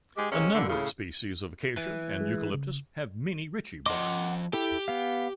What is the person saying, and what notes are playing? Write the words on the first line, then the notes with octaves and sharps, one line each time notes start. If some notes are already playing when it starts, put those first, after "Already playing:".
A number of species of "Acacia" and "Eucalyptus" have minni ritchi bark.
G#3 G4
C3 G#3 A#3 C#4
G2 A#2 D3
A2 C#3
E3
G#3 G#4
C#3
F3 D#5 F#5 C6 D6
E4 G4 A4
B3 F5